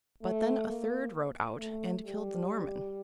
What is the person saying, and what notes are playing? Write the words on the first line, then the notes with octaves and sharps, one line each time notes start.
But then a third rode out, and killed the Norman.
A3
A#3
A3
G3